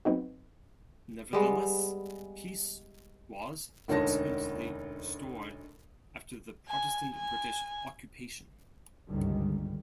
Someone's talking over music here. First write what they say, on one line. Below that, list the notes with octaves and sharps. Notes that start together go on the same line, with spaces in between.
Nevertheless, peace was subsequently restored after the Protestant British occupation.
F#3 B3 C4 D#4 F#4
G3 G#3 B3
E1 D2 C#4 D#4 A5 A#6
G#5
G#5
G1 C#2 G#2 D3 D#3 G3